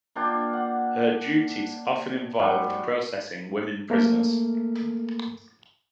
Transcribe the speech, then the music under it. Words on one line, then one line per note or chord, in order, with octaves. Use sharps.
Her duties often involved processing women prisoners.
A#3 D4 F4 G5
F#5
G#2 F#3 G3 C#6
A3 A#3 A4 A#4